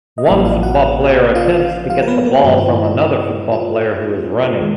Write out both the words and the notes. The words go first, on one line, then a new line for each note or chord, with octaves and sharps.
One football player attempts to get the ball from another football player who is running.
D#5
A1 A2 F3 A#3 C#4 E4 E5
F4 F5
F#4 F#5
F4 F5
F4 F5
A#4
B3 B4
A#3 A#4
G2 D#3 F#3 G#3 F#4
F4
E4
F4
E4
F4
D#3 G#3